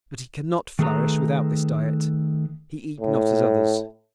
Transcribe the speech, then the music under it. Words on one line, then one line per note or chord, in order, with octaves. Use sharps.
But he cannot flourish without this diet; he eat not as others.
D#3 A3 G#4 A4 B4 A#5
A2